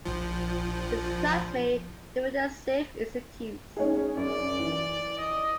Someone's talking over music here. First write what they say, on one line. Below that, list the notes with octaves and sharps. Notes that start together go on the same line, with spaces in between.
His classmate, Duvinder Singh, is accused.
A#1 F3
C#4 D#4 G#4
F#2 D5
E3
D#5